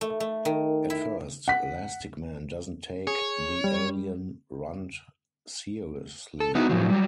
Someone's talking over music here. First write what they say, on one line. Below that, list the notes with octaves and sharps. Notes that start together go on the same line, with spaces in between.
At first, Lastikman doesn't take the alien runt seriously.
A3
A3
D#3
E4
F#5 B6
G#4 C#5
G3
A4
B3 D#4 E4 F#4
A2 F3 F#3
F#3 G3